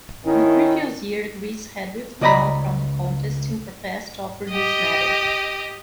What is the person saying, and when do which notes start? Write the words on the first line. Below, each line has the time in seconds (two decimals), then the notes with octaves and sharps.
The previous year Greece had withdrawn from the contest in protest over this matter.
0.25 D#3 C#4 E4
2.21 C#2 D5 D#5 G5 A#5 B5
4.50 G4 D#5